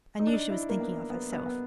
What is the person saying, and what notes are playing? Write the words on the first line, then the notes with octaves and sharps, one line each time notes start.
I knew she was thinking of herself.
D#4
D4
D#4
E4
A#3
B3
B3
B3
B3